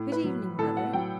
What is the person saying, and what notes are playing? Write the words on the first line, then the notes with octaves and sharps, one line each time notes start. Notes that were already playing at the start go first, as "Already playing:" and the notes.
'Good evening, Mother.'
Already playing: A2
B4
F#3
A2 A4
F#5
F#3 G5